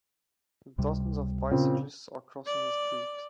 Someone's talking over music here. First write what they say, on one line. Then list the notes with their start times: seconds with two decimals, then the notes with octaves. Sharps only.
Dozens of bicyclists are crossing the street.
0.78 C#2 C3 G3
1.51 A#2 C#3 C4
2.46 D5